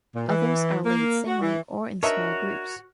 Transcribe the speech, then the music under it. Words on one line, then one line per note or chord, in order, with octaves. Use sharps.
Others are laid singly or in small groups.
A#2
E3
A#3
F#4
E3
D4 F#4 A#4 C#5 D#5 E5